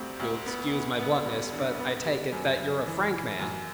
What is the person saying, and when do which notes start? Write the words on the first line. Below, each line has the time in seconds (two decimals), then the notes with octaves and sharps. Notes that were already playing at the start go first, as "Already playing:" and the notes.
You’ll excuse my bluntness, but I take it that you’re a frank man.
Already playing: D2 C3 G3 C4
0.20 D2
0.46 B3
0.73 B3
0.99 B3
1.26 G2
1.53 D3
1.79 B3
2.06 G3
2.32 F#2
2.59 F#2
2.86 E3
3.12 E3
3.39 F#2